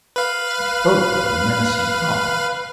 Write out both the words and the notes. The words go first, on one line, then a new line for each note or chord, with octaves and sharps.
He spoke with a menacing calm.
B4 F5